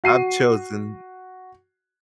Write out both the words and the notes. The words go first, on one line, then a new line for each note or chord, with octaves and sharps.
I've chosen
F#4 C7 D#7